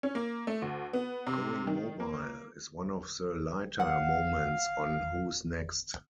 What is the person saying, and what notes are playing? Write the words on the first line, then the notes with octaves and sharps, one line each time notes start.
"Going Mobile" is one of the lighter moments on "Who's Next".
C#4
A#3
A3
D2
B3
C3
D#3
A#3
F5 F#5